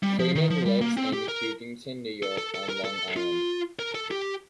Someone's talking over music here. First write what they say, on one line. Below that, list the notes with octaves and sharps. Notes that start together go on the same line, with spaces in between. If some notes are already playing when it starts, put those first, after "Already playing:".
Freeman lives in Huntington, New York on Long Island.
G3
F3
D#3
F3
G3
A#3
C4
G4
A#4
A4
A4
A4
A#4
A4
F4
A#4
A4
G4